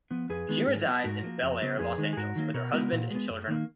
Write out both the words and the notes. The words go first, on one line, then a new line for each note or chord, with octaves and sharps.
She resides in Bel Air, Los Angeles, with her husband and children.
F3 B3
F2 G#4 B4
D#3 G#3 B3
G#2
F#3 B3
G#2 F#4 A#4
F3 A#3
F2
C#3 F#3 B3
F2 G#4 B4
D#3 G#3
G#4
G#2 F#4 A#4
D#3 F#3 A#3
B2 F#4 A#4
G#3 B3 F#4 A#4
A#2
G#3 B3
F#2
D#3 A#3